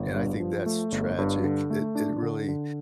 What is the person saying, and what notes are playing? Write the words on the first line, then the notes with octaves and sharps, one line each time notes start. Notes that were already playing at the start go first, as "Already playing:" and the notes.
and I think that's tragic, it it really
Already playing: G1
G2
F3
A3
G1
G2
D3
A3
D4
D3
D3